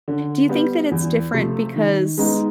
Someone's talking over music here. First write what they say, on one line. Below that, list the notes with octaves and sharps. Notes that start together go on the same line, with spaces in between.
Do you think that it's different because
D3
G3 B3
E2
C3 F3 A3
D#3
G#3 B3 D#4